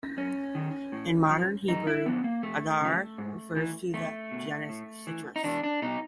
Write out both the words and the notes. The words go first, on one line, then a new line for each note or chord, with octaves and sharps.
In modern Hebrew, "hadar" refers to the genus "Citrus".
F#2 C#4
D#3
A2
F3
F#2 D#4
E4
D3 F3 B3
A#3
F2 A3
C#3 F3
G#2
E3
E2 A3
B2
A2
E3
D#4
E2 D4
D4
B2 D#4